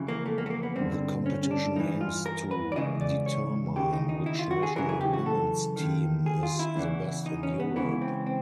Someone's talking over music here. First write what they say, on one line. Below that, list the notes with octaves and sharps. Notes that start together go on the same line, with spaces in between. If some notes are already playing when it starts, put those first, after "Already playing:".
The competition aims to determine which national women's team is the best in Europe.
Already playing: F2 C#3 E3
A#3
A3
A#3
A3
A#3
B3
G2 D3 C4
C#4
C#4
D4
G2 E3 D#4
F4
A#4
B4
D5
C#2 C#3 E3 D#5
D5
C#5
D#2 C#3 E3 G4
D#4
D#4
E4
F4
F#4
G#4
F#2 C#3 E3 A#4
G#4
G4
F#4
A4
D#2 D#3
G#4
F4
E4
E2 C#3 E3
D#4
C#4
B3
C#2 C#3 E3 B3
C4
C4